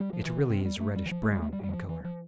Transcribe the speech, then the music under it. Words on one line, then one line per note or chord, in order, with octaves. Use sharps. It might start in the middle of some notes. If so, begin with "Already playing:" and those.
It really is reddish-brown in color.
G3
F3
E3
D3
C3
G3
A3
G3
E3
F3
A3
G3
A3
G3
G3
E3
F3
E3
F3